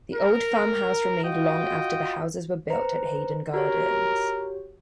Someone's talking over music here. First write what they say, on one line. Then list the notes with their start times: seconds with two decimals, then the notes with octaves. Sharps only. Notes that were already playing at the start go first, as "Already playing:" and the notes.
The old farmhouse remained long after the houses were built at Haydon Gardens.
0.15 A#4
1.24 F4 F#4 D#5 G5
2.70 B4 C5 A#5
3.54 F#4 G4 A#4 C#5